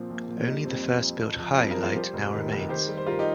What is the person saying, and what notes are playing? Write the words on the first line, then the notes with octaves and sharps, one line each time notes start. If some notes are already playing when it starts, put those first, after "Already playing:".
Only the first built 'high' light now remains.
Already playing: A#2 F3 C4
A#1
A#2
G3 D#4
F2 C4
F2
F2
F2
F3
F2 C4 F4
F4 A#4
F3
F4 A#4
G3 G4 C5
F1
D#3
F1
D#3 G4 C5
G3
C5
G3 F4 A#4
D#4 G4